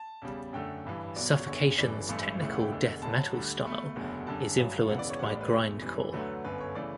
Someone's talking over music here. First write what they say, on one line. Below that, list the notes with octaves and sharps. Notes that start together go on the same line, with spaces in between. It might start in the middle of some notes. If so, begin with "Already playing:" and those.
Suffocation's technical death metal style is influenced by grindcore.
Already playing: A5
E2 C#3 G3
F#2 D3 A3 G5
A1 G2 E3
B1 B2 F#3 D5
C#5
F#1 E2 D3 C#5
G1 F#2 E3 G3 D5
A1 G2 E3 A3
E1 D2 C#3 E3 A3 E5
F#5
G5
E1 E2 D3
A1 A2 F#3 A5
D2 D3 G3
B1 B2 A3 B5
F#1 E2 D3 F#3 A3
F#2 D3 G3 A5
A1 G2 F#3
E1 E2 C#3 E3 F#5
D5
C#5
A1 A2 G3 F#5
D5
B4
E2 B2 A3
F#2 E3 G3
D2 D3 F#3 A3 B4
G1 F#2 D3 B4
C#5
C#3 E3 A3 D5